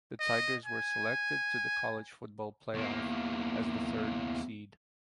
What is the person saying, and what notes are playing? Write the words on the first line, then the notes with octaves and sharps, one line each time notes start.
The Tigers were selected to the College Football Playoff as the third seed.
D#5
G#5
E2 A#3